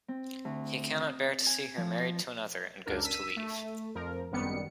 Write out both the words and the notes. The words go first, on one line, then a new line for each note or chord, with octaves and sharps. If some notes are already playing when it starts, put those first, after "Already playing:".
He cannot bear to see her married to another, and goes to leave.
C4
D2
D#6
G#5
F3
C#2 F#2 D4 A#4
E6 B6 D#7
A3
F2 F3 A#4
G#1 F#2 D#3 G3 B3 C#7